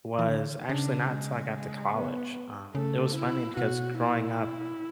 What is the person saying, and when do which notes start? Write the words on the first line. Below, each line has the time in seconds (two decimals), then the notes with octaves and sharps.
was actually not 'till I got to college, um, it was funny because growing up,
0.19 E3
0.28 D3
0.69 C#3 D4
1.10 G#3
1.93 B3
2.75 C#3 A3
3.16 E4
3.57 B2 F#4
3.99 E4